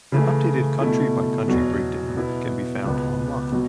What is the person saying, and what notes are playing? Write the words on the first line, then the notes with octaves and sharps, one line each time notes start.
An updated country by country breakdown can be found online.
C#3 E3 A3 E4
B2 A3 E4
E2 B2 F#3
B2 B3 E4
C#2 B2 B3
B2 F#3